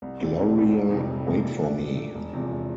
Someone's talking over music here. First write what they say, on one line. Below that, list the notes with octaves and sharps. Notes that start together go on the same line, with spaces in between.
Gloria, wait for me!
C2
A#2 A3 C4
C2
A#2 A3 C4
F1
F2 C3 G3
F1
F2 C3 G3
A#2
A3 D4
A#2
A3 D4
E1
E2 C3 F3
E1